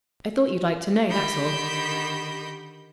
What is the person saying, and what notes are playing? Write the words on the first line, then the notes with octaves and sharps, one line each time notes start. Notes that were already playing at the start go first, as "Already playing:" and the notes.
I thought you'd like to know, that's all.
D3 D#3 G4 B5 G6 A#6